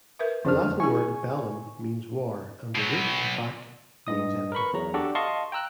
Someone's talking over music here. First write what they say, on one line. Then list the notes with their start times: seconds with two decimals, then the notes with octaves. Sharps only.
The Latin word "bellum" means war, and the root "vac-" means empty.
0.19 A#4 B4 E5
0.45 F2 D3 D4 C5 F6
0.80 E4 G#4 G#5 C#6
2.75 B2 F#3
4.07 G2 D#5 D#6
4.52 A#4 B4 B5 C#6
4.73 E2 F#3 A#5
4.94 D4 F#4 G4 A4
5.15 D#5 F5 A5 C6 C#6
5.52 G5 A#5 E6 F#6